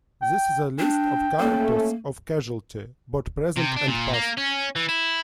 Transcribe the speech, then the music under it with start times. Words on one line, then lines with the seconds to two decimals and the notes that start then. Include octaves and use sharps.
This is a list of characters of "Casualty", both present and past.
0.22 G5
0.79 D4 G5
1.39 A3 A#3 C#4 A4
3.57 C3
3.77 D4
3.88 A#2
4.14 A#3
4.38 C#4
4.76 E3
4.89 E4